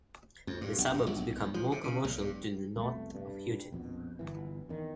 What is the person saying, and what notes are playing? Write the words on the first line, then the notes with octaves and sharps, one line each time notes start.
The suburbs become more commercial to the north of Houghton.
F2
G2
B1
G2
A#1
B1
E2
F3
C3
C#3
B1
G2
C2 F2 B2 A3
G2
A#1 F2 B2
G1 E3
E2 D#3